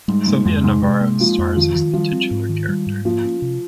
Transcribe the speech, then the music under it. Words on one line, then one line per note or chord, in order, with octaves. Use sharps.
Silvia Navarro stars as the titular character.
G#2 G3
G#2 A#3
F2 G#2
G#2 C3
G#2 C3
A#3
F3 A#3
F2
D#3 F3
D#3
F3 G3
C4
G#2
D#3
G3
G#2
F3 A#3
C#4
C3